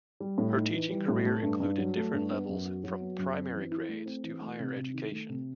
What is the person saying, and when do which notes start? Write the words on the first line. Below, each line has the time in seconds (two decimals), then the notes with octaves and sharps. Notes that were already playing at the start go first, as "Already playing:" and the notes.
Her teaching career included different levels from primary grades to higher education.
0.20 G3
0.38 A2
0.56 D#4
0.73 E3
0.90 G3
1.08 A2
1.26 A3
1.43 G2
1.60 G2
1.78 F#3
1.96 A3
2.13 G2
2.30 B3
2.49 F#2
2.66 F#4
2.84 F#3
3.01 B3
3.18 F#2
3.36 C4
3.53 E3
3.71 E4
3.89 A3
4.06 C4
4.23 E3
4.41 A3
4.59 C3
4.76 C3
4.94 D#3
5.12 A3
5.29 C3